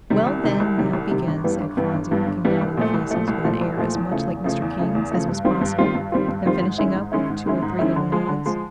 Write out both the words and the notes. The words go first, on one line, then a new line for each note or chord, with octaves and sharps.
"Well, then, now begin," said Phronsie, looking down on the faces with an air as much like Mr. King's as was possible, and finishing up with two or three little nods.
C3 D#3 G3
C2
C3 D#3 G3
C2
C3 D#3 G3
C2
C3 D#3 G3
G1
G2 E3 G3 B3
G1
G2 E3 G3 B3
G1
G2 E3 G3 B3
G1
G2 E3 G3 B3
C2
A#2 F3 A3
C2
A#2 F3 A3
C2
A#2 F3 A3
C2
A#2 F3 A3
E2
C#3 F3 A3
E2
C#3 F3 A3
E2
C#3 F3 A3
E2
C#3 F3 A3
G2
D#3 G3 C4 F4
G2
D#3 G3 C4 F4
G2
D#3 G3 C4 F4
G2
D#3 G3 C4 F4
G#2
D#3 G#3 C#4 E4
G#2
D#3 G#3 C#4 E4
G#2
D#3 G#3 C#4 E4
G#2
D#3 G#3 C#4 E4
D3
F3 G#3
D3
F3 G#3